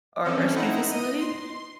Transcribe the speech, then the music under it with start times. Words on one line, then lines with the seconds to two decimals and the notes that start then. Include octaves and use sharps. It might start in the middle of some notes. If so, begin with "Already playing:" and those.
our rescue facility,
0.24 E3 C4 C#4 A4
0.55 C4 D#4 E4 F#5 A#5
0.91 D#5 D#7
1.20 C6